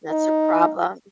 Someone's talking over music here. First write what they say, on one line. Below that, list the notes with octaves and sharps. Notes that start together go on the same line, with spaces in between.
That's a problem.
D#4